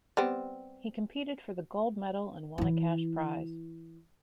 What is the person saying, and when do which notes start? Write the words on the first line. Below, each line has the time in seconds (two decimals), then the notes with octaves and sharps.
He competed for the gold medal and won a cash prize.
0.17 G3 B3 C4
2.58 E3 E4